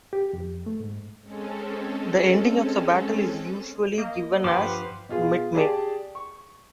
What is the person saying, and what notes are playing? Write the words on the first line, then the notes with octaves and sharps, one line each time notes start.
The ending of the battle is usually given as mid-May.
G4
F2
A3
G#2
G#3 C4 C#4 A4
A#3 D#5
G2 F3 G4 B4 C5 F#5 C6 D6
B2 F4 G#4
G4 G#4 D5 A5
C#6